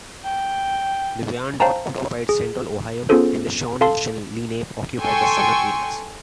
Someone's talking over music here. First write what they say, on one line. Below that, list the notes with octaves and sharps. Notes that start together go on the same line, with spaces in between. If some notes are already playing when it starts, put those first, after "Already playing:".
The Wyandot occupied central Ohio, and the Shawnee and Lenape occupied the southern areas.
G5
C5 F5 G5 A5 A#5
G#4
B3 C#4 F4 G#4 A4 C5
A4 F5 A5 C6
A4 G5 G#5 C6 C#6